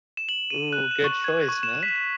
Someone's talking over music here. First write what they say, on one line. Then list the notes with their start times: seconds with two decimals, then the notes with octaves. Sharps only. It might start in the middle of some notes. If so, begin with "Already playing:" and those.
Ooh, good choice, man.
0.17 E7
0.29 F#7
0.50 D#7
0.73 F#6
0.91 E7
1.04 C#6
1.24 G#6
1.49 C#6
1.63 E7
1.83 B6
1.96 E7